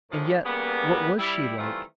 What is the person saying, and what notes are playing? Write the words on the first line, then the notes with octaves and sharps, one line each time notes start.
And yet--what was she like?
F#2 A2 D#3 F3 G#3 D4
C#3 G3 A#3 B3
G3 E4
D#3 E3 G3 A3 C4 F4